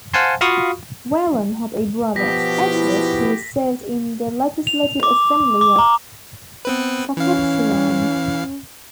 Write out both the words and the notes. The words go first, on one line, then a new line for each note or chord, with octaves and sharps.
Whelan had a brother, Edward, who served in the Legislative Assembly of Saskatchewan.
C5 F5 F#5 G#5 A5 C6
F4 F#4 F5 B5 C#6 D#6
B2 F3 B3 F#4 G4 A#6 B6
E4
F7
D6
D6
A#5
B3 C4 B4
E3 C#4 F5